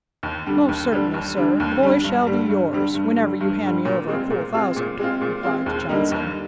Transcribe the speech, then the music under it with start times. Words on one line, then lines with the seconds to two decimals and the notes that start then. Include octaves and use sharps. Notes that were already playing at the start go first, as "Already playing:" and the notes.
"Most certainly, sir, the boy shall be yours, whenever you hand me over a cool thousand," replied Johnson.
0.23 D#2
0.46 D3 G3 D4
0.69 D#2
0.92 D3 G3 D4
1.14 D#2
1.36 D3 G3 D4
1.60 D#2
1.82 D3 G3 D4
2.04 G2
2.27 D3 G3
2.49 G2
2.73 D3 G3
2.94 G2
3.17 D3 G3
3.40 G2
3.62 D3 G3
3.85 A#2
4.08 G#3 C4 F4
4.30 A#2
4.54 G#3 C4 F4
4.76 A#2
4.99 G#3 C4 F4
5.21 A#2
5.43 G#3 C4 F4
5.66 D#2
5.89 D3 G3 A#3 D#4
6.12 D#2